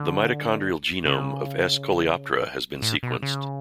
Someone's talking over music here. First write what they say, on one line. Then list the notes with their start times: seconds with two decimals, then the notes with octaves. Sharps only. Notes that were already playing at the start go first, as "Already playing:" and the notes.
The mitochondrial genome of "S. coleoptrata" has been sequenced.
Already playing: D3
1.05 C#3
2.82 A2
3.03 B2
3.23 C#3